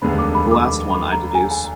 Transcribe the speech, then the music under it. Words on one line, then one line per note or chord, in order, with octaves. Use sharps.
The last one, I deduce.
F1 D#2 D3 G#3 B3 B5
D6
B5
D6
B5
B5
A#5
G#5
G#5